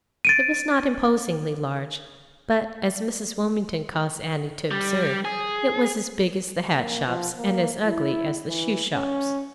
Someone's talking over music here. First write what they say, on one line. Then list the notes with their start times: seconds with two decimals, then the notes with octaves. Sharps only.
It was not imposingly large, but, as Mrs. Wilmington caused Annie to observe, it was as big as the hat shops and as ugly as the shoe shops.
0.25 A6 D7 D#7
4.71 G3
5.25 G#4
6.74 A#3
7.06 F3
7.37 A#3
7.86 E4
8.49 E3
8.96 C#4